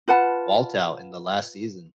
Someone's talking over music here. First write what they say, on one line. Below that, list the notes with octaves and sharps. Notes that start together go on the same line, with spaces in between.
Walt out in the last season.
F4 B4 F#5 A5